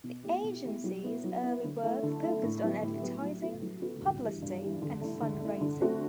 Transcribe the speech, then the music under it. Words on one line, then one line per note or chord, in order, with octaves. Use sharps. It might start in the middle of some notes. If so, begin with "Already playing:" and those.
The agency's early work focused on advertising, publicity, and fundraising.
B2
A3 E4 G4
B2
A3 E4 G4
F#3
B3 E4
F#3
B3 E4
D3
A3 E4 A4
D3
A3 E4 A4
A2
F#3 B3 E4 G4
A2
F#3 B3 E4 G4
F#3
B3 F#4 A4
F#3
B3 F#4 A4
G2
E3 G3
G2
E3 G3
D3
A3 E4
D3
A3 E4
D3
A3 C4 F#4 A4